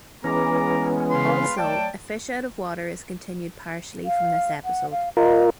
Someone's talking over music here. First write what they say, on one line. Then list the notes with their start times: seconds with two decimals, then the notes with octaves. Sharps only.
Also "A Fish out of Water" is continued partially from this episode.
0.24 E3 G#3 B3 C#4 A#5 D6
1.11 C#3 B4 F5 C6
1.57 F#3 A3 D5 G5 A5
4.05 F5
4.65 F#5
4.91 F5
5.17 F4 A#4 D#5